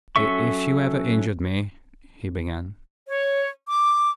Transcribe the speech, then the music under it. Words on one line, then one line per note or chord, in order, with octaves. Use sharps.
"If you ever injured me--" he began.
F#3 C#4 A4 E5 C#6
C#5
D6